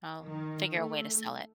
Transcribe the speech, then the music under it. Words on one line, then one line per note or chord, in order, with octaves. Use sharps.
I'll figure a way to sell it
D#3
A3